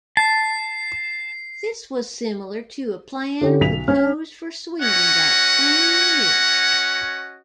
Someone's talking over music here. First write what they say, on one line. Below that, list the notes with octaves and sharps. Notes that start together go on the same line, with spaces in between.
This was similar to a plan proposed for Sweden that same year.
A5 C7
D3 C#4 G4
B1 B6 F7
C#4 F6
C#4 F#4 C#5 D#5 F#5